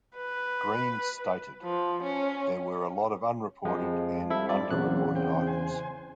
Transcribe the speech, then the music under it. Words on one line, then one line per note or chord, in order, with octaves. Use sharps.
Greene stated, There were a lot of unreported and underreported items.
B4
F3
C#4
F2 F3 G#3
G3 C4 E4 F4 A4 E5
D5
E2 A#2 C#3 F#3 C4 F#6
C4 G5
C5 G#5